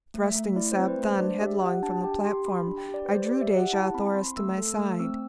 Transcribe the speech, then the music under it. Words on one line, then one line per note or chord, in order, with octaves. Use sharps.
Thrusting Sab Than headlong from the platform, I drew Dejah Thoris to my side.
A3
E5
A3
E4 D5
C5
C4
B4
A3
C5
D4 D5
G4 E5
G4 F#5
D4 A5
G4 G5
G4 C6
G4 B5
D4
G5
G4
D5
B4
G4 C5
D5
G4
E5
G4 F#5
E4 A5
C4 B5
C4 C6
A3 E6
A4
E6
A3
C4 E6